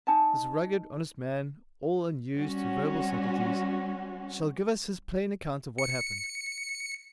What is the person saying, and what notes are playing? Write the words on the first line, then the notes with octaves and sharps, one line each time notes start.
'This rugged, honest man, all unused to verbal subtleties, shall give us his plain account of what happened.
D#4 G#5 A5
G3 C4 C#4 F#4
C#7